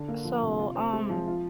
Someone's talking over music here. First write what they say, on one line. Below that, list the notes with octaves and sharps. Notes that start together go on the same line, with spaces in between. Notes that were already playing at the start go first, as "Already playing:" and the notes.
so, um,
Already playing: D3 D4
A#3
F3
C3
F4
C4
G#3
F3
F4